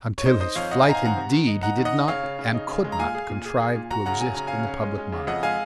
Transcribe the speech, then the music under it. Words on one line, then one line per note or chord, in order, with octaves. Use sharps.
Until his flight indeed, he did not and could not contrive to exist in the public mind.
C#5
D#4 C5
D#4 C5 D#5
F2 C#5 F5
D#4 D#5 F#5
F5 G#5
D#4 A#5
F5 G#5
D#3 F#5 A#5
C3
D#3
D#4
D#4 F#5 A#5
D#3
D#5 F#5
D#4
C#3 C#5 F5
C#3
C#3
D#4
C#3
G#3
A#5
A#2 F5 G#5
G#4
A#2
G#4
G#4
A#2
F#4 F#5 A#5
C#3 F#5 A#5
F#3 G#5
C#3 A#5
C#4 F5 G#5
C#4
G#3
G#3
C#3
F2 D#5 F#5
G#3 F5 G#5